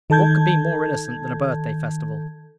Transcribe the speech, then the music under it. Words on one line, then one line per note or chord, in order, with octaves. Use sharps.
What could be more innocent than a birthday festival?
D#3 A4 A5 G6 G#6